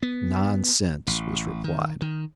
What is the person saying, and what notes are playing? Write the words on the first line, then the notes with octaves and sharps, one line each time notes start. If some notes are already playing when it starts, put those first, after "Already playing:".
"Nonsense," was replied.
B3
A1
D#3
D#3